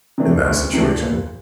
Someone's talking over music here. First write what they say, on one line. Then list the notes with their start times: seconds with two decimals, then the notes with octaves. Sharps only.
in that situation.
0.18 C3 E3 A3 D4
0.46 D2
0.73 C3 E3 A3 D4
1.01 A#2